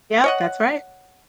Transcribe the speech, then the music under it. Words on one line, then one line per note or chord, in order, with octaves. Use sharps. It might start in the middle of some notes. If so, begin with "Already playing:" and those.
Yeah, that's right.
C#5 D#5 F#5